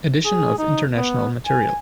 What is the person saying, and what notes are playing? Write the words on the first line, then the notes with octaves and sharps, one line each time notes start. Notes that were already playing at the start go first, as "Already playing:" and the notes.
Edition of International Material.
G#4
D#4
B3
G#5